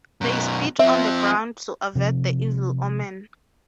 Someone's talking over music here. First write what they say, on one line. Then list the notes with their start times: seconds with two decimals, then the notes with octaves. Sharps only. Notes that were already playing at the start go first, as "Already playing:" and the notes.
They spit on the ground to avert the evil omen.
0.21 F#2 B2
0.79 F3 C4 E5
1.95 C3 F3